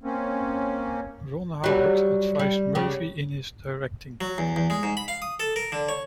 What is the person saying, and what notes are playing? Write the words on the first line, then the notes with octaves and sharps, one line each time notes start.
Ron Howard advised Murphy in his directing.
A#3 C4 C#4
F#3 G3
G3
C#3 G4
F#3
E2
E2
G#3
G#2
B5
F5
D#6
A4
A#4
D3
C#5